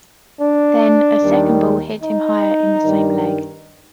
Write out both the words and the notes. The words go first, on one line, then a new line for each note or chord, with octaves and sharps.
Then, a second ball hit him higher in the same leg.
D4
D#2 D#3 G3
D#4
G2 D#3 G3